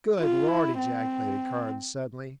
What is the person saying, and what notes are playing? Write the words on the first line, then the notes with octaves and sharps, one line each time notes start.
"Good Lord!" ejaculated Carnes suddenly.
F4
E4
C4